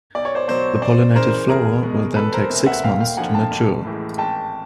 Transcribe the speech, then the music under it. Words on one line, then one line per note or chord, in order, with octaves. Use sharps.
The pollinated flower will then take six months to mature.
B1 D5
C#5
C5 D5
B2 F#3 C5 D5
F#2 C5 D5
C#3 E3 A#4 C5
E2 G#4 A#4
B2 G#3
E1 A4 B4
A#4 C5
D2 C3
E5 F#5
D#2 F5 G5
F5 G5
D3 F3 A#3 F#5 G#5
G5 A5
A1
A2 E3 G#3
G#1 G5 A5